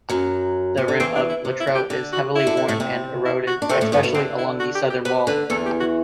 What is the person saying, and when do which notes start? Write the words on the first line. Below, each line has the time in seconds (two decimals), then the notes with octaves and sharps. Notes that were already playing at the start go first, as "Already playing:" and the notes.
The rim of Littrow is heavily worn and eroded, especially along the southern wall.
0.09 F#2 F#3
0.77 C3
0.88 D3
1.00 E2 E3 C4
1.15 D4
1.29 E4
1.45 C3
1.60 E4
1.67 D3
1.75 G4
1.90 D3
2.13 F#4
2.35 E4
2.47 D3
2.57 D3
2.68 A2 A3
2.80 C3 C4
3.25 E4
3.47 F#4
3.62 D4
3.69 C3 A3 C4
3.81 A2 A3
3.92 G2 G3 B3
4.03 B2 B3
4.15 D3 C4
4.38 E4
4.59 F#4
4.75 G4
4.90 G4
5.05 C3 B4
5.27 D3 B4
5.50 E2 E3 A4
5.66 G4
5.80 F#4